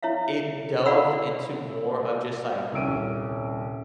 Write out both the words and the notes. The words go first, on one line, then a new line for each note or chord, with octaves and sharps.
it delved into more of just, like,
E4 C#5 E5 F5
E4 D5 F5 F#5 B5 E6
D#1 C2 C#4 E6 D7 D#7